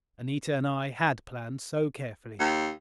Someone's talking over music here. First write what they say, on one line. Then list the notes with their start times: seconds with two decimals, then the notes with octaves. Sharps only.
Anita and I had planned so carefully.
2.40 D#2